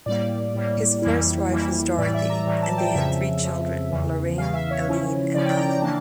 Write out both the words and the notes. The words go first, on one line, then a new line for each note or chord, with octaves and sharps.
His first wife was Dorothy and they had three children, Lorraine, Eileen and Alan.
A2 G3 A#3 D5
A2 G3 A#3
F2 E3 G3 A#3 E4
F2 E3 G3 A#3 E4
A2 E3 G3 D5
E5
A#5
A2 E3 G3
A5
G5
F2 C#3 F3 E5
F2 C#3 F3
E2 C#3 E3
E2 C#3 E3 F5
E5
C#5
C#3 F3 C#4 E4
C#3 F3 C#4 E4 D5
G5
A#5
A#5
C#3 E3 A#3 D4 A5